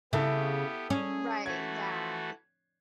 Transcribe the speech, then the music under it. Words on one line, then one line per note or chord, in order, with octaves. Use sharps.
r right, yeah i
C#3 B3 E4 G4 A4 E5
C#4 G#4
E3 A3 F#4 G#6